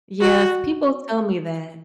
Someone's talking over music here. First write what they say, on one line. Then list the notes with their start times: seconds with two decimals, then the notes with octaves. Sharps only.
Yes, people tell me that.
0.21 F#4